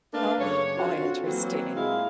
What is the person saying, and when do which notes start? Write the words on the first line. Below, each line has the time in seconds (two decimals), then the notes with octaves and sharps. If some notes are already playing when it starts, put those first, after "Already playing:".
Oh, how interesting
0.13 A3 A#3 D4 B4 F5
0.39 F#2 C#3 C#5
0.78 D3 C4 F4 F#4
1.26 E3 F#3 A#3 C4
1.76 A#2 G#3 E4 G#4 F5